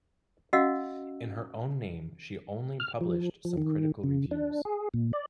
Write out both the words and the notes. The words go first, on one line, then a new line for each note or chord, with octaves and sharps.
In her own name, she only published some critical reviews.
C#4 F#4 D#5 F5 F#5 E6
F6
F3
F3
D#3
C#3
D4
G#4
A#2
D5